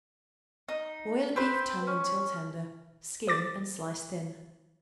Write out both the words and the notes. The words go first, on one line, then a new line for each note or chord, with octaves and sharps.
Boil a beef tongue until tender; skin and slice thin.
D#4
C4 B4 C5
C#4
C5 D6 A6